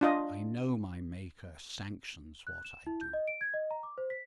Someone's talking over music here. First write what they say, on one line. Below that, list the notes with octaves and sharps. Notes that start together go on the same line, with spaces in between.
I know my Maker sanctions what I do.
D4 F4 D#5
F#6
E7
E4
G6
D#5
D7
G#6
D#5
A#5
D6
C5
B6